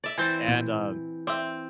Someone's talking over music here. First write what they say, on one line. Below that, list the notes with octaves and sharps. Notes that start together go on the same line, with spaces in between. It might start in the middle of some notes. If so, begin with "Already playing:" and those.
and, uh,
D5 E5
E3 C4 C5 G#5 G6 A6
A#2
C4 D5 E5